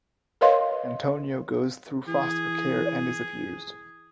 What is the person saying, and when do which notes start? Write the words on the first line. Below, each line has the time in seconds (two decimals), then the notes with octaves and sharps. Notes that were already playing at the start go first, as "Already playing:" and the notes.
Antonio goes through foster care and is abused.
0.41 A#4 B4 C#5 D#5 F5 C6
2.07 E3 G#4